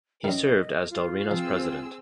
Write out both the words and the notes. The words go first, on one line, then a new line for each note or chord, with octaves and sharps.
He served as Delrina's President.
F#2 D#3 D#5
F4
F3 C4 G#4 E6